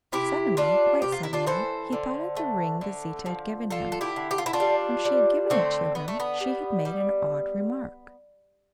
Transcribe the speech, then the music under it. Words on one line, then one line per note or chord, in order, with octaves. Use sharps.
Suddenly, quite suddenly, he thought of the ring Gauzita had given him. When she had given it to him she had made an odd remark.
C3 E4 G4
G3 D4 F4
C3 G4
F4
E4
D4 F4
E3 A4 C5
D3
A3
D3
F3
D3 F4 A4
A4
E4 G4
D3
G4
F4
E4
D4 F4
G3
G3
D3 A3 C4
D3 B3
A3
B3
G3
G3